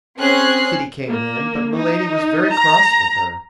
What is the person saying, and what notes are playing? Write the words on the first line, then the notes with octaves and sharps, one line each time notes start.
Kitty came in, but Milady was very cross with her.
C4 C#4 G#4 F#6 C7
A#3
D#4
A#5